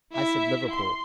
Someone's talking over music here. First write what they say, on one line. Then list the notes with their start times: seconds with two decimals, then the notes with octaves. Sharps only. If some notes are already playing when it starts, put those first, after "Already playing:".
"I said Liverpool."
0.12 E4 E5
0.71 C6